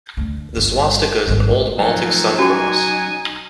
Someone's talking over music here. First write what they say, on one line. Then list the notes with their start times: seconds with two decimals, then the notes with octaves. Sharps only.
The swastica is an old Baltic sun cross.
0.17 D2 D3
0.57 G1
1.27 G#1 F#3
1.79 F3 F#3 A3 D#4
2.39 F#3 C#4 F#4 G5 G#5